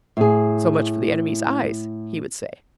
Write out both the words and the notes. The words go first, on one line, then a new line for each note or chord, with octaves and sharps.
So much for the enemy's eyes, he would say.
A2 G#4